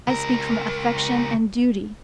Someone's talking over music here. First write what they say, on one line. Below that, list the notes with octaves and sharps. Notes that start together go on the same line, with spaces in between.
I speak from affection and duty.
C#2 A#4